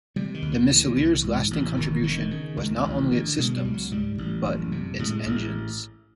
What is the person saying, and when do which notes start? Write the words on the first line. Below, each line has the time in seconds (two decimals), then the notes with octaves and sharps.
The Missileer's lasting contribution was not only its systems, but its engines.
0.16 C3 G3
0.34 D#3
0.42 D2
0.52 F3
0.69 A#2 E3
0.96 C2
1.24 G#2
1.51 A1
1.77 E1 D#3
2.04 D3 D#3
2.31 C#3
2.57 C#2
2.85 A1
3.11 D3
3.38 B2 G#3
3.56 G3
3.65 C#2
3.74 F#3
3.92 G#2 G3
4.18 A1
4.45 F#1
4.72 C3
4.99 A2 G#3
5.26 A1